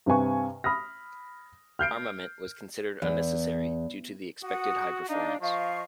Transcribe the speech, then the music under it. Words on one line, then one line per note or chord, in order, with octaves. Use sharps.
Armament was considered unnecessary due to the expected high performance.
G2 C3 B4 G#5 C#6
B5 D#6 F6 A#6
F6 G6 C7 D7
E2
F#4 F#5 D#6
D4 D#4 F5
F3 D#5 F5 C#6